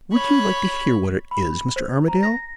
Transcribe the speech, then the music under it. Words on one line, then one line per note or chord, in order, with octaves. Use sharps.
"Would you like to hear what it is, Mr. Armadale?"
C#5 B5
B5
C5
A#5
A#6